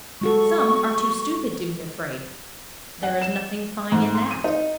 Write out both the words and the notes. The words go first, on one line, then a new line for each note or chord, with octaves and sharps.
Some are too stupid to be afraid: there is nothing fine in that.
G#3 F#4 A4 C#6
F#5
E7
G#2
C6
D#7
D#4